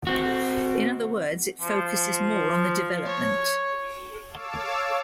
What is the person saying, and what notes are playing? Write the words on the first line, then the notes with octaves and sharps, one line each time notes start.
In other words, it focuses more on the development.
C4 F#4
F3
C#5
C#5 F5 A5 D6 E6